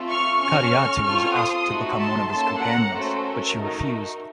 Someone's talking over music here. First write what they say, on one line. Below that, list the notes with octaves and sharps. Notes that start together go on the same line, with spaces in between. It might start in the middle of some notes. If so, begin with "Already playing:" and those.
Kadiatu was asked to become one of his companions, but she refused.
Already playing: A3 C4 F4 A4
C#6 F6
C#4 F#4 A4 C#6 F6
C4 F4 A4 C#6 F6
C6 D#6
A3 D#4 F#4 A4
A5 C6
A#3 C#4 A4 A5 C6
F#5 A#5
A3 C#4 F#4 A4 C5
A#4
A3 D#4 F#4